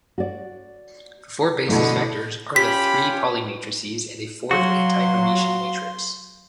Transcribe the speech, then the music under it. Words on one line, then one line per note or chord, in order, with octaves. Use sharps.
The four basis vectors are the three Pauli matrices and a fourth antihermitian matrix.
F#4 D5
B2 D3 A3 E4
C#4 F4 G4 B5 B6
F#3 F#4 F5 C6